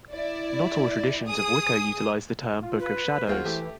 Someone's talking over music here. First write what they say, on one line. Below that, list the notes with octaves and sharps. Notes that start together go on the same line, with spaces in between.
Not all traditions of Wicca utilize the term "Book of Shadows".
E4 D5
G#4 D#6
F4
B4
D#2 G#3 F4 F#4 C5
E3 A3 G4